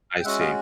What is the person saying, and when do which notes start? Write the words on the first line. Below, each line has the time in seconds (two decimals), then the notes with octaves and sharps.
I see.
0.20 G5
0.24 G#3 C#4 F#4 E5 F#5
0.40 D#5 F5